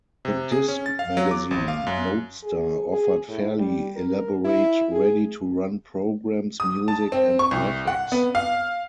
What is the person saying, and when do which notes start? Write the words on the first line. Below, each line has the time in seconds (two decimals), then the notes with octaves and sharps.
The disk magazine "Loadstar" offered fairly elaborate ready-to-run programs, music, and graphics.
0.25 C3
0.52 G#4
0.68 C#4
0.86 A6
0.99 F5
1.17 F#3
1.31 D6
1.51 G#1
1.68 F5
1.87 F#2
2.43 G#4
2.90 G#4
3.28 A2
3.58 G3
3.96 A#4
4.45 E4
4.92 G#4
6.60 D#6
6.88 A5
7.12 C4
7.39 C#6
7.51 C2
7.87 F#5
8.12 B3
8.35 F5